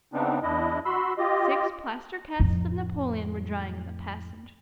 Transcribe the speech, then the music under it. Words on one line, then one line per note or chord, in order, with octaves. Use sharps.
Six plaster casts of Napoleon were drying in the passage.
C#3 B3 C4 D4 D#4
E2 D4 E4 D#5
F#4 B5 C6 E6
F4 G4 D#5
F2 A2